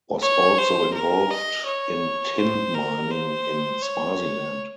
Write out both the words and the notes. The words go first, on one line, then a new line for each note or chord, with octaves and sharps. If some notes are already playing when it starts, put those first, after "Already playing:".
Was also involved in tin mining in Swaziland.
C#5
C5
A#4
D#5
C#5
C5
A#4
C5
C#5